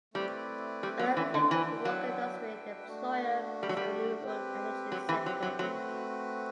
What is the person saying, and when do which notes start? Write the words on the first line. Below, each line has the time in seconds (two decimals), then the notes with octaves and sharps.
Another important local industry and employer is the renewable energy sector.
0.14 G3 A3 C4 E4 B4 D5
0.83 G3
0.99 F#3
1.17 E3
1.34 D3
1.51 E3 D4 F#4 B4 E5 G5
1.85 F#3
2.87 A3 D4 F#4
3.63 G3
3.69 F#3
3.77 G3
4.24 C4 G4 B4
4.92 F#3
5.09 E3
5.26 F#3
5.43 F#3
5.59 F#3 A3 C4 F#4 B4